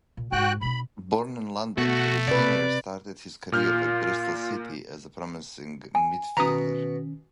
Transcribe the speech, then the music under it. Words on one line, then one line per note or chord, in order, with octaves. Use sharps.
Born in London, Rosenior started his career with Bristol City as a promising midfielder.
A#2
G#2 G#3 F#4 G5 F#6
B2 D4 B5
B2 A3 F#4
C3 B4 D5
A#2 F4 F6 G6
G#5
B2 D#3 C#4 F#4 A#5 B5 D#6